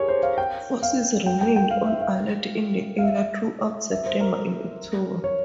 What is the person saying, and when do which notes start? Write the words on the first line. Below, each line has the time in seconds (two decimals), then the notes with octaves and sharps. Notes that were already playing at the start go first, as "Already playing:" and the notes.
Forces remained on alert in the area throughout September and October.
Already playing: G4 G#4 A#4 C#5
0.08 C5
0.23 F5
0.38 G5
0.83 F5
1.26 G5
1.41 G5
1.56 G5
1.71 F5
1.86 E5
2.01 F5
2.98 F5
3.03 E5
3.92 E5
4.06 C5
4.21 A#4
5.24 C#5